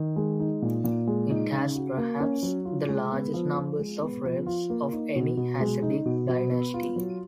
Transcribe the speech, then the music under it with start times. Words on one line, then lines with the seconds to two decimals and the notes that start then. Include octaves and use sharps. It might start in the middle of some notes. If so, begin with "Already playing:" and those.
It has perhaps the largest numbers of rebbes of any Hasidic dynasty.
Already playing: D#3
0.16 G#3
0.40 D#4
0.62 A#2
0.84 A#2
1.07 G#3
1.30 D#4
1.52 C#3
1.75 F#4
1.97 A#3
2.20 C#4
2.43 F#3
2.65 F4
2.89 G#3
3.12 B3
3.34 F3
3.57 F4
3.79 G#3
4.02 B3
4.25 F3
4.46 F4
4.70 A#3
4.92 D#4
5.15 B2
5.37 B2
5.60 G#3
5.82 D#4
6.05 B2
6.29 B2
6.51 B3
6.74 F4
6.96 F#3